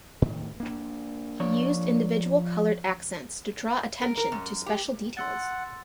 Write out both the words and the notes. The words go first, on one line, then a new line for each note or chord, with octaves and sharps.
He used individual coloured accents to draw attention to special details.
A2 D#3
A#3 D4
F3 C#5 D5
A#4
A#4
F#2
G4
F#5 C6 E6 A6